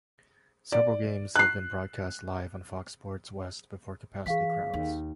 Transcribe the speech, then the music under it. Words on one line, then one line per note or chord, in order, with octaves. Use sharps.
Several games have been broadcast live on Fox Sports West before capacity crowds.
D5
F#6 C7
E3 G#4 F5 B6
D#2